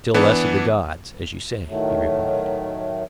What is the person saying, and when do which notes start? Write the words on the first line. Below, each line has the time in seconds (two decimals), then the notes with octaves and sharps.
Still less of the gods, as you say, he replied.
0.14 E3 B3 D4
1.68 A2 D#3 F#3 A3